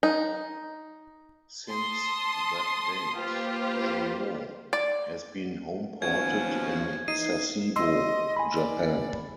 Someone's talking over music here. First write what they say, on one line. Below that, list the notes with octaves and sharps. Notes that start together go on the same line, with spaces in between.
Since that date, "Juneau" has been homeported in Sasebo, Japan.
D#4
A5 C6 D#6
A#3 F4 G4 B4 C5
D5
D#2 B2 F3 C#4 G#6
E3 D#4 D#5 C7 D#7
D#5 C6 E6
G#5 B5
D5